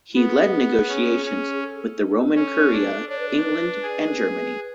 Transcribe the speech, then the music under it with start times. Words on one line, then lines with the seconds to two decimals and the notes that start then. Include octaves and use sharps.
He led negotiations with the Roman Curia, England and Germany.
0.15 B3 G#4
0.88 C#4
1.25 C#4
1.53 G#4
1.62 A4
2.35 C#4
2.72 D4
3.09 D4 C#5
3.19 B4
3.28 A4
3.36 B4
3.83 G#4